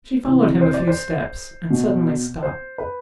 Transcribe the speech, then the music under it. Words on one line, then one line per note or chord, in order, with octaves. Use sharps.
She followed him a few steps, and suddenly stopped.
C3 E3
C5
D5
C5
B2
C5
B4